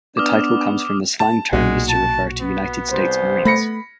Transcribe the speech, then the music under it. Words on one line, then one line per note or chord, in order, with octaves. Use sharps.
The title comes from the slang term used to refer to United States Marines.
B3 D4 D6 D#6 F6
A5
B1 A#2 G#3 F#4
A5
B3
C2 C5
A3 B5 A#6 C#7